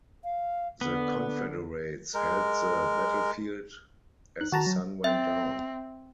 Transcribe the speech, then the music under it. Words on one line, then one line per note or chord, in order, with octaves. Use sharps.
The Confederates held the battlefield as the sun went down.
F5
D3 B3
G#3 A#4
D#4 F#6
D#3 F#4 A5 A#5
F#3
C4 E5